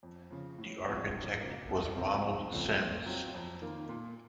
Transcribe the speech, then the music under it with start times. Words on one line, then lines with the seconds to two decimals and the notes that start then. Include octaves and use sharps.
The architect was Ronald Sims.
0.03 F2
0.30 C#3 F3
0.58 A2
0.86 F3 C4 F#4
1.13 F#2
1.41 C#3 F#3 A#3
1.69 C2
1.96 C3 F#3 C4
2.23 F2
2.51 C#3 F3 A3 C4
2.79 A#2
3.06 F#3 C4 F4
3.34 F2
3.62 D#3 A#3 F4
3.89 A#2